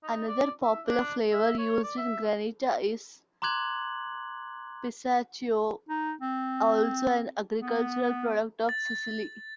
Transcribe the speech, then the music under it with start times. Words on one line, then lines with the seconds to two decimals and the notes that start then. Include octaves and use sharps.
Another popular flavor used in granita is pistachio, also an agricultural product of Sicily.
0.03 D#4
0.27 D5
0.63 E5
0.86 D4
1.32 E5
1.58 C#5
1.83 D5
1.97 E5
3.42 A#5 C6 D6 F#6 G#6 F#7
5.89 D#4
6.21 C4
7.59 B3
8.69 A6